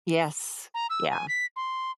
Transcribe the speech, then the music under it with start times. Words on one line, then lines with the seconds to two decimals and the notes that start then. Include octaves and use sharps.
Yes. Yeah.
0.74 A#5
0.90 E6
1.10 G#5
1.28 B6
1.56 C6